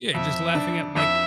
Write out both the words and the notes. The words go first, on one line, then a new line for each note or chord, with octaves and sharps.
Yeah, your just laughing at like
F2 E5
D4
F2 E5